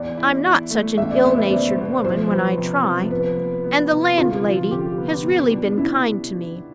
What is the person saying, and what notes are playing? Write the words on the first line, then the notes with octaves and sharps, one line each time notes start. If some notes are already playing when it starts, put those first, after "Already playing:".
I'm not such an ill-natured woman when I try; and the landlady has really been kind to me.
Already playing: E2 D5
E4
E4
A3
E2 E5
D5
B3 C5
E5
B2 D5
C5
B2
F3 C5
B3
C3
F3
B3 B4
B3
B3
C3
D3 F4
F3
D3 G4
B3
B2
D4
D4 E4